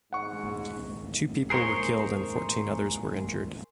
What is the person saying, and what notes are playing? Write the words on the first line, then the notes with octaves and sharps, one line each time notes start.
Two people were killed and fourteen others were injured.
G#2 F#5 C#6
G#4 A#4 C5 C#5